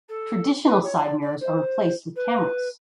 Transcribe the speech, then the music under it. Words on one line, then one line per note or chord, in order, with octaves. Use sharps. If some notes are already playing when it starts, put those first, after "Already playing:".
Traditional side mirrors are replaced with cameras.
A4
B4
C#5
C#5
D5
D5
C5
B4